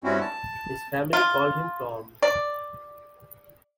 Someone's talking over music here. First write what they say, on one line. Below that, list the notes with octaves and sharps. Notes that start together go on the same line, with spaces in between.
His family called him Tom.
G2 G3 C4 C#4 E4 F#4
A5
F4
D5